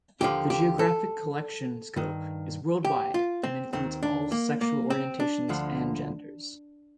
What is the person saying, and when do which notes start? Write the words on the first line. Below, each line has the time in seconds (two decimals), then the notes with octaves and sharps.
The geographic collection scope is worldwide and includes all sexual orientations and genders.
0.21 D#2 D3 F3 G4
0.50 G4
0.79 A4
1.96 G2 D#3
2.85 G4
3.14 F4
3.43 C4
3.73 D#2 D#3 C4
4.03 D4
4.32 A#3
4.61 A#3
4.90 C4
5.20 D4
5.49 D2 D3 F3